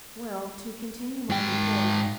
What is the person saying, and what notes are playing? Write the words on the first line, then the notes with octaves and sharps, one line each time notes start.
Well, to continue my report.
G#2 G5